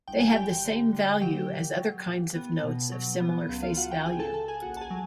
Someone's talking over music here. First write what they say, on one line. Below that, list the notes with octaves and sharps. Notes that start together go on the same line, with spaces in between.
They had the same value as other kinds of notes of similar face value.
G1 G5
G#5
D3 G4 G5
D3
D3
F#3 G4 G5
A#2
F#3
A#2
B3
B2
F#3
B3
C#2
F4 F5
C#2 F#4 F#5
G4 G5
C#2 G#4 G#5
A4 A5
C#2 A4 A5
G#4 G#5
A#1 F#4 F#5
A5
G#4 G#5
F#3